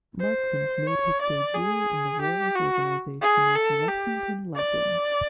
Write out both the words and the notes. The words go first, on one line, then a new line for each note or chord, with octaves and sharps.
Marklund made his debut in the Royals organization with the Lexington Legends.
C5
C#5
D5
G#4
G4
F#4
G#4
A4
G4
D5